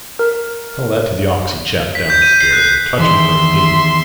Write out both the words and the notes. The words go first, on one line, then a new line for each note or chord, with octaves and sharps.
Tell that to the oxy chap downstairs and touch him for a guinea.
A#4
B6
G6
D#7
C7
F#6
E2 D#3 E5 C6